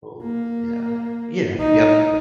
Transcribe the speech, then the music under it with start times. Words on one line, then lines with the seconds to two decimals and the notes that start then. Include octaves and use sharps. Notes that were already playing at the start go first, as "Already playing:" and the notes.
Oh yeah, yeah, yep,
0.23 A#3
1.59 D#4